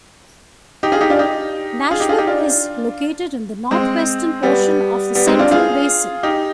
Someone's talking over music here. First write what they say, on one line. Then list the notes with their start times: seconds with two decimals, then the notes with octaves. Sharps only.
Nashville is located in the northwestern portion of the Central Basin.
0.83 D#4 G4
0.92 F4 G#4
1.01 D#4 G4
1.10 D4 F4
1.19 D#4 G4
1.91 F4 G#4
2.00 D#4 G4
2.09 F4 G#4
2.18 D#4 G4
2.27 D4 F4
3.71 G#3 C4
4.43 G3 B3
5.15 G3 B3
5.27 G#3 C4
5.39 D4 F4
5.51 F4 G#4
6.23 D#4 G4